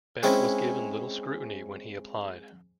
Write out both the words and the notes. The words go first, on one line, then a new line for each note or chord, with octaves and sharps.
Beck was given little scrutiny when he applied.
G#3 C4 C#4 E4